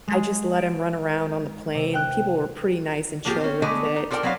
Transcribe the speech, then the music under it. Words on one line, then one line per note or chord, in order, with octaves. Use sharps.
I just let him run around on the plane, and people were pretty nice and chill with it,
G#3 G#4
D7
C3
G5 F#6
A2 F3 A#3 F4 G4 G#4
C4 C#4
D3 G#3 A3 B3 D#5
D#4
F4 A4 A#4 D5 G5
F#3 C4 B4 D5 F5